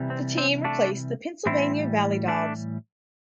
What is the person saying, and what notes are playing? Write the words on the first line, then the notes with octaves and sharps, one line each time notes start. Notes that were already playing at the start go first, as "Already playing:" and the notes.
The team replaced the Pennsylvania ValleyDawgs.
Already playing: C3 E3 G3
C4
C4
A3 D4
A2 E3 G3 C4 E4
A3 D4